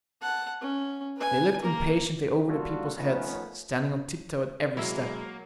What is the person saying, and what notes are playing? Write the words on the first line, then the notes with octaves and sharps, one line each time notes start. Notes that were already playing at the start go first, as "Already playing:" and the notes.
They looked impatiently over the people's heads, standing on tip-toe at every step.
F#5 A5
C#4
B4 G#5
A#3 A#4
G3 A#3 D4 F4 F#4 A4
D#3 F3 A3 B3 C#4
F#3 G#3 A#3 E4 C#5 E5